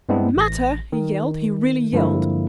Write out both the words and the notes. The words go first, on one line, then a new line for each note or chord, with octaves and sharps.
"Matter!" he yelled; he really yelled.
G2 G#3 B3 C4 D4 E4
A1 A#6
D#3
G2 D3 F3 G#3 A#3 E4